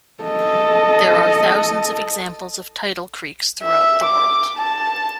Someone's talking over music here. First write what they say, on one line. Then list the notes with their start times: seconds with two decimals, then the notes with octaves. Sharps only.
There are thousands of examples of tidal creeks throughout the world.
0.24 A4 D#5
3.63 E5
4.04 D6
4.58 A5